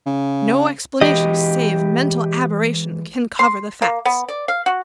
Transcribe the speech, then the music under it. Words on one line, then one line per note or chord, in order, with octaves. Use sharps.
No explanation save mental aberration can cover the facts.
C#3
E3 G#3 G4 D#5
C6
A#3
B3
D5
F5
F#4